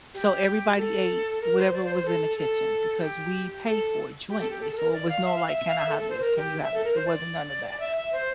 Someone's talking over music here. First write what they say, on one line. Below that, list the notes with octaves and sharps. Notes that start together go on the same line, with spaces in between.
So, everybody ate whatever was in the kitchen because we pay for it jointly, so it was no, like, "Can I have this? Can you have it?" It wasn't none of that.
G4
G4
A4
A#4
C5
D5
C5
C5
A4
A4
G4
A4
G4
A4
G4
A4
A4
A#4
D5
F5
E5
F5
E5
E5
F5
E5
A4
A4
C5
A#4
G4
E5
A4
A#4
C5
D5
E5
E5
C5